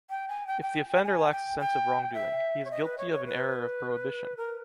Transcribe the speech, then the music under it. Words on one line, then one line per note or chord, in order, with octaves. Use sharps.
If the offender lacks a sense of wrongdoing, he is guilty of an error of prohibition.
G5
G#5
G5
G5
G5
G#5
G5
G5
E5
C#5
D#5
B4
C#5
C#5
B4
A#4